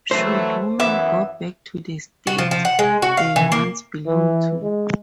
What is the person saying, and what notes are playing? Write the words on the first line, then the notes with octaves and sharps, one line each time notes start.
Should women go back to the state they once belonged to.
E3 F#3 A3 C5
F#2 E3 B3 E5 D6
F#4
F3
F3
F#5
G#3
F#4
F5
E3
A#3
E3
G#3